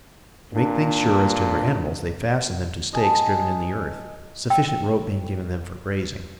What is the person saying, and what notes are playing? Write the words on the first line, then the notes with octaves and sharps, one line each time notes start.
To make things sure as to their animals, they fastened them to stakes driven in the earth, sufficient rope being given them for grazing.
A#2 D4
D#5 G#5 A5
G5 E6